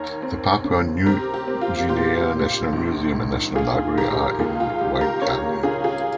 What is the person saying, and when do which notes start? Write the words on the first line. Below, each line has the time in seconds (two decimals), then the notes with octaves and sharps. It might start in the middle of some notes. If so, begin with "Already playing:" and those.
The Papua New Guinea National Museum and National Library are in Waigani.
Already playing: D#2 A#4 C#5
0.22 C4
0.64 C#3
1.06 C4 G4 A#4
1.34 G4
1.48 C4
1.61 F4
1.89 A#2 G4
2.31 A#2
2.73 A#1
3.14 G#2
3.55 A#1 F4 G#4
3.97 D#3 G4 A#4
4.39 C#2 F4 G#4
4.60 F4
4.80 G3 G4
5.01 G4 A#4
5.22 C#4 A#4 C#5
5.63 C#3 F4 G#4
5.84 F4 G#4